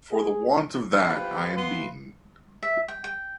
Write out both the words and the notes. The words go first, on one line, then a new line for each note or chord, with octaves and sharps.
For the want of that I am beaten.
G#4
E2 G#2 F3 G4 B4 F5
E3 F3 B3 C6
E5
G5
G5